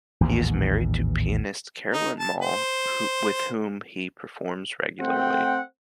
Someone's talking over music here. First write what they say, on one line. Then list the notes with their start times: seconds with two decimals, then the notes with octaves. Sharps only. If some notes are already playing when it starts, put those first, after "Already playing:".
He is married to pianist Carolyn Maule, with whom he performs regularly.
0.21 A1 D#2 G#2 B2
1.94 D#4
2.20 A5
2.42 C5
5.00 A3 C4 F#5 G5